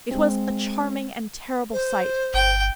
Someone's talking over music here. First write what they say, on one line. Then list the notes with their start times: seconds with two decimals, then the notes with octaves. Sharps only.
It was a charming and terrible sight.
0.11 G#3 C4
1.73 C5
2.34 G1 G5